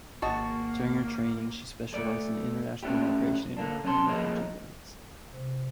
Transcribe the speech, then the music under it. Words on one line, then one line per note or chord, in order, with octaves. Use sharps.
During her training she specialised in international migration and refugee rights.
G#1 A#3 F#4 D#5 A5 C#6
A3 D5
A3 C#4 D4 E4 G4
D3 A#3 D4
F#2 C#4 D#4 G#4 A5 C6
F3 A#3 G#4 A#4 C#5 D#5
C3